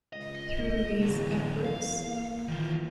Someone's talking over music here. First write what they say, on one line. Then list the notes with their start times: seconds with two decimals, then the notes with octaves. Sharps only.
Through these efforts.
0.13 C#2 D#5
1.00 E2 D3 F#3
1.65 E2 F5
2.07 A#3
2.48 D#3 E3 F4